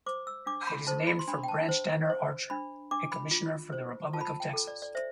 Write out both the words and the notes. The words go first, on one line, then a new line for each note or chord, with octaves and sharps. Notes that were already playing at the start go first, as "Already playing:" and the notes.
It is named for Branch Tanner Archer, a commissioner for the Republic of Texas.
C5 D6
E6
D4 D6
B5
C5 A5
B5
C6
D4 B5
G5
A5
C5
C5
D4 B5
D4 D6
B5
F4
C5
F4 A5
B5
A5
G5
A4
D5
D5
C5 E5